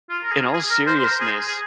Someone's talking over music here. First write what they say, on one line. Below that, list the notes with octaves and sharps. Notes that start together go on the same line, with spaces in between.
in all seriousness,
F4
A#4
G#4
G#4
A#4
C5
C5
A#4
G#4
G#4